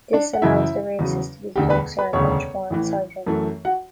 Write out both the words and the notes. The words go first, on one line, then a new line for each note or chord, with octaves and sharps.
This allows the races to be closer and much more exciting.
D4 D5
F#5
F#2 C#3 E3 E4 E5
E2 C#3 F#3
E1 D2 D3 G4 G5
B4 B5
B4 B5
E1 D2 C#3 C#5 C#6
A1 A2 E3
F#2 E3 A3
F#4 F#5